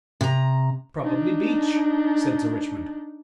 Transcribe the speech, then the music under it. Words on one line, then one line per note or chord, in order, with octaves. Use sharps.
"Probably beech," said Sir Richmond.
C3 A#5
D4 D#4